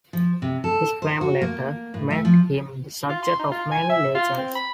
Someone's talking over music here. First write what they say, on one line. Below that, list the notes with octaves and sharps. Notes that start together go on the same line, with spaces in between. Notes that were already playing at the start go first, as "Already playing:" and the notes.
His fame later made him the subject of many legends.
F3
C3
A4
C5
F#4
A#3
A2
A3
F3
F4
C6
D#4
F4
G#5
E5
F4
C4
B5